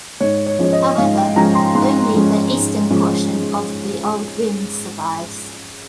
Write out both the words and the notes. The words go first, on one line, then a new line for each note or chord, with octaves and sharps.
However, only the eastern portion of the old rim survives.
G#2 C#5
C#5
F3 G#3 C#4 C#5
D#5
G#2 F5
G5
F3 G#3 C#4 A#5
C6
G#2 C6
F3 G#3 C#4
G#2
F3 G#3 C#4